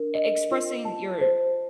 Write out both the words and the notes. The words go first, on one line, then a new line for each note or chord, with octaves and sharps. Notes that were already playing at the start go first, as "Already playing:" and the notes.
e expressing your
Already playing: D4 A#4
D#5
F4
A5
C5